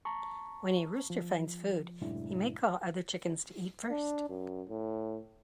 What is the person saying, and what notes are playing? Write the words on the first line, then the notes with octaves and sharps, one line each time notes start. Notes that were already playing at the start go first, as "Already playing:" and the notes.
When a rooster finds food, he may call other chickens to eat first.
A5 A#5 C#6
F3
F#2 A2 C3 G#3 D4 E4
D4
F#2
A2